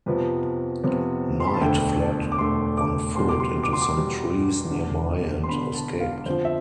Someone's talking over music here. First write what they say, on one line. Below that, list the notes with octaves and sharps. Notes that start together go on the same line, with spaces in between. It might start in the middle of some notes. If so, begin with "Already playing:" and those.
Knight fled on foot into some trees nearby and escaped.
F2 C3 F3 B3 B4
F2 C3 F3 B3
C6
B5
A5
E1 D2 D3 A3 G5
A5
D6
E1 D2 D3 A3 C6
D6
E2 B2 G3 C6
D6
C6
D6
C6
D6
E2 B2 G3
E1 E2 D3
C6
E1 E2 D3 B5
A5
F5
F2 D3 F3 C5
E5